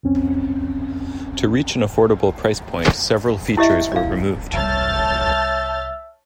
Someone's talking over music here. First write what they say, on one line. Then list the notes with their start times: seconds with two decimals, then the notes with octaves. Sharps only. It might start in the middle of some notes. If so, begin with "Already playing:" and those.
To reach an affordable price point, several features were removed.
0.03 C2 F2 C4 C#4
3.57 E4 G4 D#5 E5
3.92 D5 F5
4.54 C2 G3 C#5 E5 A5 F6 G6 A6